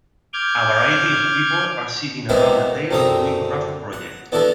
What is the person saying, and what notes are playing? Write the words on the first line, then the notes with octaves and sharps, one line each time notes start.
A variety of people are sitting around a tale doing craft projects.
D6 F6 G6 G#6
G#3 B3 C4 E4 F#4 A#4
C2 F#2 A3 C4 A#5 D#6
F#5
B3 D4 E4 F#4 A4 A#4